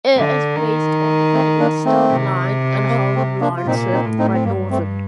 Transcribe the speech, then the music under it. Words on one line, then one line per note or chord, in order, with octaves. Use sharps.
It is based on the Penistone Line and Hallam Line served by Northern.
D3
D#3
A3 C4
A#3 D4
A3 C4
C3
A#3
A3 C4
A#3 D4
F4
A#2 C4 D#4
C4 D#4
A2
C4 D#4
C4
G2 A#3
A3 C4